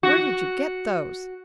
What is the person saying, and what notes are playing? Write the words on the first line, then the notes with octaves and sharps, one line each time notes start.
Where did you get those?
F#4